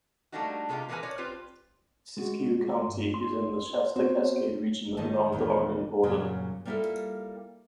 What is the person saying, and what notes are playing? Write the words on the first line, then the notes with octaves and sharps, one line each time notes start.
Siskiyou County is in the Shasta Cascade region along the Oregon border.
G3 A3 A#3 D4 D#4 F#4
C3 G#3 B3 D#4 F4 G4
B2 E3 G#3 A#4 B4 G#5
C#5 D5
C4 F4 G4 B4 C5
G#3 F#4
G2
C6
B3 C4 F#4 C5
G#2 D#3 G3 D#5 A5
D#2 A#2 E3 B3
F#2 A#2 C#3 F#3
G3 A#3 C#4 E4 F4 A4